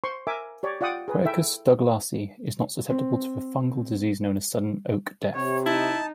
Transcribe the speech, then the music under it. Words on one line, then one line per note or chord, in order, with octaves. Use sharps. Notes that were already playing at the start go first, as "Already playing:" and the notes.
"Quercus douglasii" is not susceptible to the fungal disease known as sudden oak death.
C5 C6 C#6
A#4 E5 G#5 D6
G4 C#5 D5
F4 D5 F#5 G5 D#6
G#4 B4
E4 A4 E5 G5
C4
C3 C#5
D#4 E4 A5